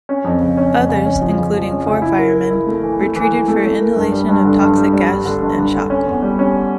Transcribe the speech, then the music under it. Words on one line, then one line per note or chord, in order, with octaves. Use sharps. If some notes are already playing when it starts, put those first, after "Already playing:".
Others, including four firemen, were treated for inhalation of toxic gas and shock.
C#4
F2
C#3
C#4
F2
C#3
C#4
F3
C#3
F3
C#4
C#3
E4
A#4
A#4
E4
A3
E3
A3
E3
E3
A3
A3
A#4
G2
G3
G2
D3
G2
G3
G3
G2
D3
G2
D3
D3
C#4
E2
G3
C#4